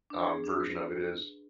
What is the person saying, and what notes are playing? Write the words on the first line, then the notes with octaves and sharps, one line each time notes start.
um, version of it is.
D4
G#4
D4
B4
B4